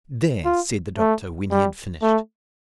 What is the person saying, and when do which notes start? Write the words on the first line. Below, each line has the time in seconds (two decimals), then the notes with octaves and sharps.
"There!" said the doctor when he had finished.
0.45 F4
0.98 A3
1.50 G3
2.02 A3